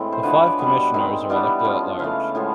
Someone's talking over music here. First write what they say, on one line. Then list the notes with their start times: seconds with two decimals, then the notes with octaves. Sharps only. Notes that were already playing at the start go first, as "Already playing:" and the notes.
The five commissioners are elected at large.
Already playing: A2 E3 G#3 C4
0.12 C5
0.23 D3 F3 G#3 B4
0.35 C#5
0.47 D5
0.59 B2 G3 B3
0.94 D#3 G#3 C4 E5
1.29 E3 G3 B3 D4
1.64 F3 G#3 C#4
1.99 C#3 E3 A3 F5
2.35 A2 F3 G#3 B3